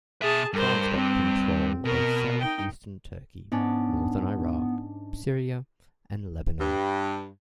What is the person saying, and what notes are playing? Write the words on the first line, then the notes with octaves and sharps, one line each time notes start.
France got control of southeastern Turkey, northern Iraq, Syria and Lebanon.
B2 G#4 E5 A5
G2 A#4 C5
C4
B2 A#4
D#4 G5
G#2 B3 C#4 D4
G2